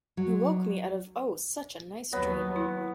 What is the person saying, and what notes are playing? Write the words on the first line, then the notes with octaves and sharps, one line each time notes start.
You woke me out of, oh such a nice dream!
F#3
D#2 F#3 B3 C#5
E4